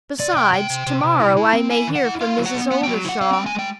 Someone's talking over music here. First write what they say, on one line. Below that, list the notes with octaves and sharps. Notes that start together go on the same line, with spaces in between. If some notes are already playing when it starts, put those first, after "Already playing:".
Besides, to-morrow I may hear from Mrs. Oldershaw.
C3 D5
C3 G5
C3 G5
C3
C3
C3
E4
E4
C4
E4 G#5
D#3
F#5
E4
E4 F5
F#3
F#5
B3
B3 F#5
G5
F#3
E4 F#5
C4 F5
G5
G#3
G#5
G#3 G5